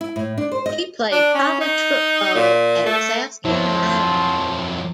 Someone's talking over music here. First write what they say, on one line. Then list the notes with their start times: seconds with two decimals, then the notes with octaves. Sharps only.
He played college football at South Carolina.
0.01 E4
0.16 A2
0.38 D4
0.52 C5
0.66 D#5
1.12 D4
1.35 C#4
1.60 D#4
2.35 A#2
2.86 A3
3.45 F2 F3 F#3 E4